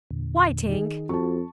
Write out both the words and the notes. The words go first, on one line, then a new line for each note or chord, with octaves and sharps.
"Why, Tink?"
E2 A#2 D3
D#3 G#4
F2 F#4 A5 C#6